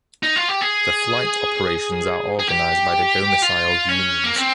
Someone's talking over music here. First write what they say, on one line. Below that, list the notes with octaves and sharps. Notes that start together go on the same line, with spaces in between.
The flight operations are organized by the domiciled unions.
D#4
F4
G4
G#4
G#4
G4
F4
C#4
A#3
C4